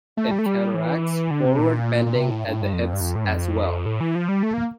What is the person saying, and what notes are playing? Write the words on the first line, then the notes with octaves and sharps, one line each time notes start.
It counteracts forward bending at the hips as well.
A3
G3
A3
G3
E3
D3
C3
A#2
A#2
C3
A2
G2
A2
G2
F2
G2
F2
A2
G2
F2
A2
E3
F3
G3
A3
A#3